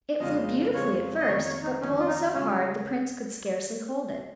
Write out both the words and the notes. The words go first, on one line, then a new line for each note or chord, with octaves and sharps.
It flew beautifully at first, but pulled so hard the Prince could scarcely hold it.
F2 C#3 G#3 F4 D#5
F2 C#3 G#3 F4 C#5
D#5
F2 D#3 A#3 C#5
C#5
D#4
F2 D#3 A#3 C#4
F4
D#4
C#3 G#3 C#4 F4